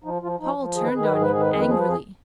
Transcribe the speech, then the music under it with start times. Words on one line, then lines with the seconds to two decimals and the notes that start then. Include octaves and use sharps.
Paul turned on him angrily.
0.04 F3 D#4
0.22 F3 F4
0.40 F3 D#4
0.58 F3
0.75 D#3 G#4
0.85 B4
0.93 D#3 G#4
1.03 B4
1.11 G#2 G#4
1.22 B4
1.29 D#3 G#4
1.41 B4
1.46 F2 G#4
1.60 B4
1.65 F3 G#4
1.79 F2 B4
1.88 G#4